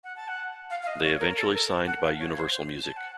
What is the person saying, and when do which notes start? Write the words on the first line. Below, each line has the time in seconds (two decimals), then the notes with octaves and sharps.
They eventually signed by Universal Music.
0.04 F#5
0.16 A5
0.28 F#5
0.70 F5
0.82 F5
0.87 D#5
1.04 C#5
1.20 A#4
1.37 A4
1.53 A#4
1.70 A5
1.87 F#5
2.03 F5
2.19 C#5
2.37 C5
2.83 A5
2.96 F#5